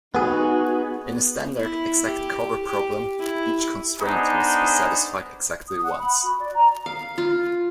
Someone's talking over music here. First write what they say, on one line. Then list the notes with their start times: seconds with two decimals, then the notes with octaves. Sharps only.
In a standard exact cover problem, each constraint must be satisfied exactly once.
0.15 B3 D#4 F#4 G#4
1.06 B3
1.56 E4
2.05 G4
2.66 G4
3.19 E4
4.00 B3 D4 D#4 G#4 C5
5.68 D#6
5.82 F#5
5.98 B5
6.23 F#4
6.39 D5
6.54 A#5
6.86 F5
7.18 F4